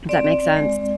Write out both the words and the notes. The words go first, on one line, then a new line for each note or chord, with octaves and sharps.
Does that make sense?
C4 D5
C4
C4
G#3
G#3